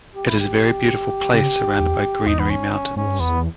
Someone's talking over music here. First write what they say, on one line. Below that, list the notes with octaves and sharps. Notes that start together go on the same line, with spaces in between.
It is a very beautiful place surrounded by greenery mountains.
G4
E4
G4
C#3
E2
E2 D#4
B3
C#4
C#4
G#2 C#4
G2
E2 B3